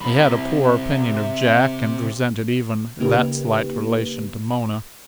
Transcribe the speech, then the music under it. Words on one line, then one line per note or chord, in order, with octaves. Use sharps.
He had a poor opinion of Jack and resented even that slight relation to Mona.
C3 B5
C#3 A#3 D#4 G4 B4